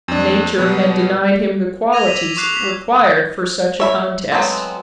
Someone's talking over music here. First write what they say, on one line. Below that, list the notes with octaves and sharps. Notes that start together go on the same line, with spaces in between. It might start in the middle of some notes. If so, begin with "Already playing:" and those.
Nature had denied him the qualities required for such a contest.
F2 D4
B2 F#3 G3 B3
D6 E6 G#6 A#6 D#7 F7
E6 B6 D#7 E7
B6
C#6 D6 F#6 C7 F7
D6 B6
C#5 E5 B5
F#3 G#3 A3 B3 C4